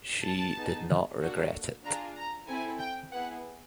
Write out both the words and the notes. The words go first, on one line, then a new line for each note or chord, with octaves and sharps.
She did not regret it.
A5
B3 D#4 G#4
A#3 D4 F#4 A4
D4 F4 G#4 A#5
A#5
C4 E4 A4 G#5
G5
B3 E4 G#4 F#5